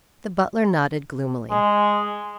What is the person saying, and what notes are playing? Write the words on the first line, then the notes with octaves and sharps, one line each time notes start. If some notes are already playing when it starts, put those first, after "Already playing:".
The butler nodded gloomily.
G#3